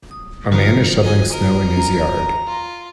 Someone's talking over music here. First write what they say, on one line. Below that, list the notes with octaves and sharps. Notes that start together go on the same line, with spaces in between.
A man is shoveling snow in his yard.
D#6
D3 E3 F3 D#4 F4 F#4 A#4 C5
D#5 G#5
A#4 D#5
C#4 A#5
F4